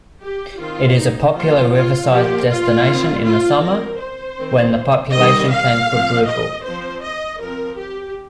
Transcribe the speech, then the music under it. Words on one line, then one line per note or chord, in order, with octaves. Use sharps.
It is a popular riverside destination in the summer, when the population can quadruple.
G4
D#3 C4 F4
D#4
F3 A#3 F4
F4
F3 A#3 G4
F4
D#3 C4
F4
F3 C4 A#4
C5
D#3 C4
D#3 G3 C4 D#5
F5
F3 C4
D#5
F3 C4 C5
D#5
F3 C4 A#4
G4